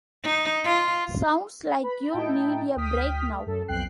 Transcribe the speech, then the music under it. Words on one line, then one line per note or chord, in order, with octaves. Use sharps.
Sounds like you need a break now!
D#4
F4
B4 B5
A2 D#4 E4 G5 A5
D2 G5 D#6 F6 B6
A3
F#2 A4
B1 F2 G5 F#6 C7